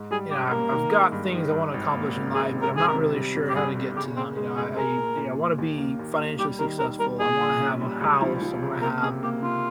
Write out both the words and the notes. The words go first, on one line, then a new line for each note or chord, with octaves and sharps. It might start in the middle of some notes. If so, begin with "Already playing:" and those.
you know, I've I've got things I wanna accomplish in life, but I'm not really sure how to get to them. You know? I I wanna be financially successful. I wanna have a house. I wanna have
Already playing: G#2
G3 G#4
C#4 G4
A#3 A#4
D#3
G#3
G2
D#3
G2
G#1
A#3
G#1
G#3 G#4
C3
A#4
D#3 G#4
A#4
C3
G3
G1
G4
G2 G#4
G1
C#3 G4
C#3 C4
G#3
F1 G#4
G#4 A#4
A#2
A#2
A#2
D#2
A#3
D#2
D#2
G3 G4
D#3 A#4
D#3 A#4
G3 A#4
A#2 G#4
A#1
C#4
G3
C#2
F3
F3
C#3
A#3 A#4
C3 G#4
A#3 G4
C3 F4